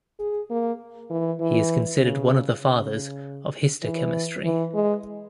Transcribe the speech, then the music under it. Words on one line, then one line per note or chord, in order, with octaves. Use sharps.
He is considered one of the fathers of histochemistry.
G#4
A#3
E3
E3
C#3
C#3
E3
E3
G#3